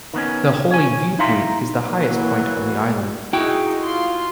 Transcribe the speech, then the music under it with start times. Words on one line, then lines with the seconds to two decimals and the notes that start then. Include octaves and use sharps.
The Holy viewpoint is the highest point on the island.
0.14 D#3 B3 C#4
0.70 C#5 G#5
1.18 D#4 E4 F5 A#5 C6
1.85 E3 F#3 A#3
3.33 D#4 E4 F#4 G#4 G5
3.80 F4 C6